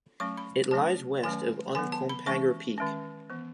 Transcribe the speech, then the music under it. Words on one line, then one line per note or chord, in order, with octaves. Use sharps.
It lies west of Uncompahgre Peak.
F#3 A3 C#4 C#6
B5
F#3 A3 C#4 A5
D#3 F#3 A3 C#4 G#5
D#3 F#3 B3 G#5
A5
B5
E3 G#3 C#4 C#6
D#3 G#3 C#4
E3 B3